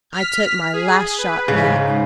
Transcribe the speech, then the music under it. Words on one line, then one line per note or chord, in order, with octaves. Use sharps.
I took my "Last Shot" back.
F6 B6
G#4
B4
G#2 C#3